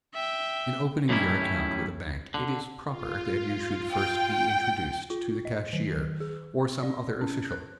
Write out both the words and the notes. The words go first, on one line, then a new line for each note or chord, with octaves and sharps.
In opening your account with a bank it is proper that you should first be introduced to the cashier, or some other official.
E5 G5
F#2 A2 D#3 G3 C#4 E4
D3
F4
G5
F4
D#5
D#3
G#4
D5
C#4
F#6